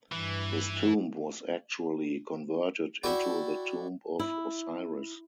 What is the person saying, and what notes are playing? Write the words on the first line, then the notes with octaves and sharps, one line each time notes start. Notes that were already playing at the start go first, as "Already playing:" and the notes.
His tomb was actually converted into the tomb of Osiris.
G2 E3
E4 F#4 D5 G5
E4